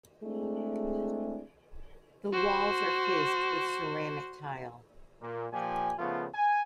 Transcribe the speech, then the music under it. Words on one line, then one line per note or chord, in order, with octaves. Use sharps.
The walls are faced with ceramic tile.
G#3 A3 C4 D4 E4 G#4
F#4 C5
A#2
A#2 F3 G4 G#5
C#3 F3 A3 B3 F4
G#5